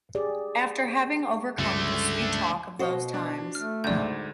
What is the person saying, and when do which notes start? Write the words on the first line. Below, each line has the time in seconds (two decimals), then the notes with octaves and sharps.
After having overcome the sweet-talk of those times.
0.15 G4 G#4 D5
1.59 C#2 G2 D3 A3
2.79 B2 F#4 C5 D#5
3.14 D4
3.55 A3 F6
3.84 D2 G#2 D5 G6